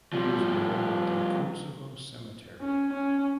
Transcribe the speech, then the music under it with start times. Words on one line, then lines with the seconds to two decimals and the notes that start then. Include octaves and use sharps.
He was buried at the Kuntsevo Cemetery.
0.13 F3 G3
2.61 C#4
2.93 C#4